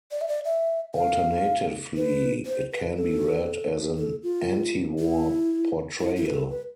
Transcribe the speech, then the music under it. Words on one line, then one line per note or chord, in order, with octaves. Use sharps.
Alternatively, it can be read as an antiwar portrayal.
D5
E5
D5
E5
F5
B4
C5
B4
A4
A4
F4
E4
E4
E4
B4
A4
B4